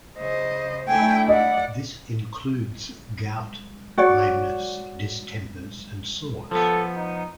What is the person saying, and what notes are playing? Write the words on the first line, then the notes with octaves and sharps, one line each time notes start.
This includes gout, lameness, distempers, and sores.
C#3 C5 D#5
A3 D4 E4 G5 G#5
D5 D#5 F#5
F#4 C#5 D5
F3 B3 A4
D#4